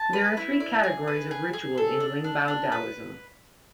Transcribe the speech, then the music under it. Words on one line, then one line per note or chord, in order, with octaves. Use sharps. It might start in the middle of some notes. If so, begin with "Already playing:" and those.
There are three categories of ritual in Lingbao Daoism.
Already playing: A5
B4
E4
D5
G#4
B4
G#4
G#4
A4
D4
D4
D4
B4